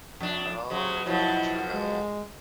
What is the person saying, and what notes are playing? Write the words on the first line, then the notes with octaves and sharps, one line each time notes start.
Oh, true.
F2 D4
C#3 F#3
B2 F3 F#3 E4
G#3